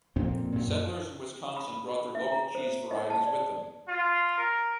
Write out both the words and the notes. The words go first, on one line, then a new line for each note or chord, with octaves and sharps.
Settlers in Wisconsin brought their local cheese varieties with them.
F2 A#2 A#3 C4
F#2 A#2
B5
E5
A#5
C5
D#5
A5
D5
F4
A#4